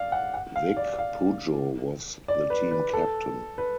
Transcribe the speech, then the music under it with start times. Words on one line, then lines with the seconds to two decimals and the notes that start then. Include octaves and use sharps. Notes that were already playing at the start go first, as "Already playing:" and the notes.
Vic Pujo was the team captain.
Already playing: D5 F5
0.12 F#5
0.34 F#5
0.56 F5
0.77 D5
0.99 F5
2.28 D5
2.50 B4
2.71 B4
2.93 A4
3.58 B4